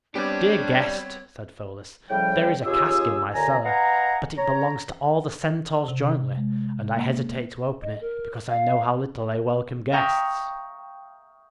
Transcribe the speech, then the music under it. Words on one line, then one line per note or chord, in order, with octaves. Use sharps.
"Dear guest," said Pholus, "there is a cask in my cellar; but it belongs to all the Centaurs jointly, and I hesitate to open it because I know how little they welcome guests."
G3 B3 C4 D4 G4 C#5 D5
A2 C#3 F3 G3 G5
D#2 C#3 F4 G4 G#4 E6
D#2 A#2 D3 G#5 A#5
B4 D#5 F5 F#5 G#5 A#5
C#5 A#5
C3
G#3
A#3
D#5
A#4
F5
E5 F5 G5 A#5 C#6 D#6